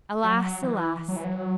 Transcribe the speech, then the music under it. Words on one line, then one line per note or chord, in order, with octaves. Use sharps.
Alas, alas!
F#3
E3
F#3
E3
F#3